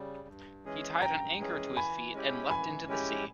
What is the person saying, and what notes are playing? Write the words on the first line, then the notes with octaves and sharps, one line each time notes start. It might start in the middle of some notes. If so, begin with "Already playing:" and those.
He tied an anchor to his feet and leapt into the sea.
Already playing: C#3 G3
G2
E3 G#3 C#4 G#4
G2 G5 A#5
E3 G#3 C#4 G#4
E3 G#5 B5
G#3 C#4 E4 G4
E3 G#5 B5
G#3 C#4 E4 G4